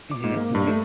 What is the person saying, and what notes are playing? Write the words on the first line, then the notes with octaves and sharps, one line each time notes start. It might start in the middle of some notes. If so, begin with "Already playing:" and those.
Mhm. Mhm.
D6
G#2
A#3
G2
A3